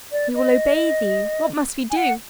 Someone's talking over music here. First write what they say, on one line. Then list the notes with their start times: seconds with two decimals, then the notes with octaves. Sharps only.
We will obey thee, what must we do?
0.12 D5
0.35 D#5
1.91 G#5
1.96 F#5